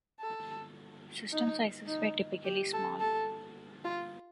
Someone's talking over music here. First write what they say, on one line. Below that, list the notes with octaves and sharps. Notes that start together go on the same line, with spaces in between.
System sizes were typically small.
A4
D#4
D#4
G4
A4
A4
F4